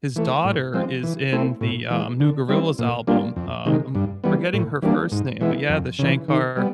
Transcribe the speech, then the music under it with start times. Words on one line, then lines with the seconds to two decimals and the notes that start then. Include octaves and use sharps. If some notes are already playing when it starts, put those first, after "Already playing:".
his daughter is in the, uh, new Gorillaz album. Um, I'm forgetting her first name, but, yeah, the Shankar,
0.16 E3 A3
0.45 A2
0.74 F3 G#3 C4
1.03 E3
1.33 A3 C4 E4
1.61 A2
1.90 E3 G#3
2.20 D3
2.49 G3 C4 E4
2.79 A#2
3.07 G3 A#3 D4 F4
3.36 F2
3.65 C3 D#3 G#3
3.95 G2
4.24 E3 G3 B3
4.53 A2
4.82 E3 G3 A#3 D4
5.12 G#2
5.41 E3 G#3 B3 E4
5.69 F2
5.99 C#3 E3
6.28 D#3
6.57 G3 B3